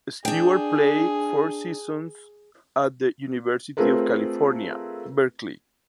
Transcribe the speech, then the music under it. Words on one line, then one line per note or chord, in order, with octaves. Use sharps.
Stewart played four seasons at the University of California, Berkeley.
D4 G#4 G5
A3 C4 F4 G#4 A#4 B4